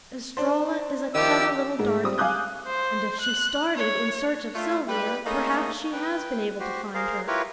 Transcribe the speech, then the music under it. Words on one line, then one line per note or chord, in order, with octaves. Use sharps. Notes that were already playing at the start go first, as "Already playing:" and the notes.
Estralla is a clever little darky, and if she started in search of Sylvia perhaps she has been able to find her.
D4 C5
D#3 F3 E4 G4 E6
G#2 G#3
G3 C4 D#6
F5 G#5 D6 D#6 F#6 G6
C5
F#6
C#5
A3 F4 E5
G3 B4
A3 A#3 C#4 D#4 G#4 A4
B4 G5
F#4 G4 C5
G#4 A#4 C5 F5
E4 F4 G4 A#4 B4 C#5